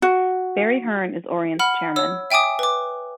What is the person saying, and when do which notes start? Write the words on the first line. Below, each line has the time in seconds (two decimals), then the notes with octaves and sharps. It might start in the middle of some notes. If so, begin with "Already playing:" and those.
Barry Hearn is Orient's Chairman.
0.02 F#4
1.59 F#5 B5 F6
1.96 C#5 E6
2.30 E5 G5 G#5 D6 D#6
2.59 B4 D6